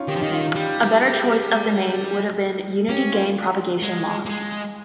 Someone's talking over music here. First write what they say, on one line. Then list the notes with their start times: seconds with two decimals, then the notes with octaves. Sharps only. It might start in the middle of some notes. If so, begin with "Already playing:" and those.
A better choice of the name would have been "unity-gain propagation loss".
Already playing: C#4 D#4 F4
0.08 D#3 G4
0.16 F3
0.20 D#3 D#4
0.32 F4
0.55 G3 G4
0.79 G4
1.02 G4
1.13 G#4
1.23 G4
2.89 C#4 G4
3.13 F4
3.54 F4
3.59 G4
3.82 G#3 G#4
4.26 A#3
4.29 G#3